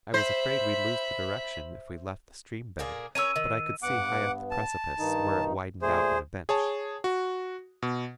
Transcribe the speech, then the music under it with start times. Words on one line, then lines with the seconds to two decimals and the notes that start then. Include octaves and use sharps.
I was afraid we'd lose the direction if we left the stream bed, but I could see high up the precipice where it widened out in a bench.
0.14 C5 E5 B5
2.79 A#2 A#3 G#4
3.15 C#4 A#4 C#5 E6 D#7
3.36 D#3
3.83 G2 B3 F#5 D6
4.51 A5
4.99 G2 D#3 D#4
5.82 A#2 A3 G#4 C5
6.49 G#4 C#5 A5
7.04 F#4
7.82 B2